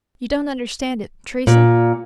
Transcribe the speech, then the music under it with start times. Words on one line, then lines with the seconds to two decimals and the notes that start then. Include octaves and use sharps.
"You don't understand it, Teresa?"
1.47 A#2